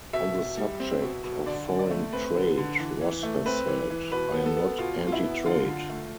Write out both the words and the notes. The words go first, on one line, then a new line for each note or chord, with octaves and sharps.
On the subject of foreign trade, Ross has said: I am not anti-trade.
B2 E5
B2
G3
C4
B2
B2
D3 D5
D3
D5
A3
C4 B4
D3
D3
E3
E3
A3
C4 B4
E3
E3
B2 B4
B3
A4
B3
B2 F4
B2
F4
E4
B3
D3 F4
D3
A3